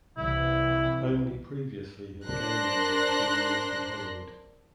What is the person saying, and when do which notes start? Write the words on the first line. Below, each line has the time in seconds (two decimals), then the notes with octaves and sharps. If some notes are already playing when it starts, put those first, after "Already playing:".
Only previously have game engines been used in Hollywood.
0.18 C2 E3 E4
2.27 D4 A#4 C5 C6 F#6 A#6